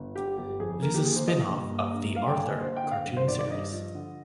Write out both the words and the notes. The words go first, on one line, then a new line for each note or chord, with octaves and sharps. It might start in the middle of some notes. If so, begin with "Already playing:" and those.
It is a spin-off of the "Arthur" cartoon series.
Already playing: G1
D3 G4
G1 G4
F2 G#4
A#3 A#4
G4
A#3 G#4
C5
A#3 D#5
G2
A#3
G2
G2 F5
G5
A#3 G#5
D#5
D3 C5
G5
D3
F5
G2
C5
G#1 D5
D5
G2 D#5
F3
D3